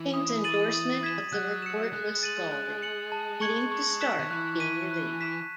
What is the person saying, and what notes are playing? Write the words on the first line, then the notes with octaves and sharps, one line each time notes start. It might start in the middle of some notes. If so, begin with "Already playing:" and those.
King's endorsement of the report was scalding, leading to Stark being relieved.
Already playing: E3
D#6
A6 D#7 F#7
D#6
G#6 B6 E7
F#3 F#6
C#7 E7
G#3 F#6
A6 D#7 F#7
F#6
C#7 F#7
A5
C#6 G#6 C#7 F#7
C#6
F#6 B6 E7
D#3
E3 F#6
B6 D#7
F#6
B6 E7